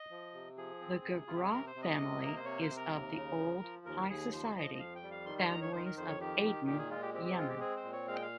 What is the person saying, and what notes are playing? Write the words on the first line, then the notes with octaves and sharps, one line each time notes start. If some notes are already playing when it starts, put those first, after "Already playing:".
The Girgrah family is of the old, high society, families of Aden, Yemen.
Already playing: D#5
F3
C3
F3 G#4
C4
C3
C3 F4
G4
G#4
C3 A#4
C5
C3
D#5
C3
A#3 A#4
C5
C3 C#5
C5
C3
A#4
D#2
C#3
F3
F3
D#2 A#4
D#2 G#4
F3 C5
F3 D#5
D#5
F2 F5
G5
G3
F5
D#3 C6
C6
D#3 A#5
C#5
D#3 C5
A#4
F2 C5
C#5
D#3 G4
D#3
A#2 G4
G#4
G#3 F4
G4
C4 G4
G4
G#3 F4
G4
C4 G#4
C5
A#2
C#5
G#3 F5
G5
F5